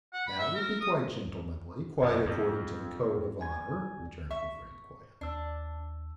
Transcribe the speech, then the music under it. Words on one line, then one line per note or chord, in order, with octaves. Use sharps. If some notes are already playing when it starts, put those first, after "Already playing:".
"That would be quite gentlemanly, quite according to the code of honour," returned the friend, quietly.
F#5
B5
E5
A#4
D#6
F#2
F2
D5 G#5 G#6
E5 C#6
D#2 D4 E6